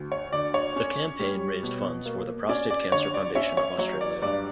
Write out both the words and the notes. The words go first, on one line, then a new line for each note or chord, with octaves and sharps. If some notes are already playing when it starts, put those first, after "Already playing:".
The campaign raised funds for the Prostate Cancer Foundation of Australia.
Already playing: D2
C#5
D3 D5
C#5
C#4
G3
B2
A#3
C#4 D5
D5
D3 C#5
D5
C#4 C#5 E5
C#5
F#3 C#5
D5
G2 D5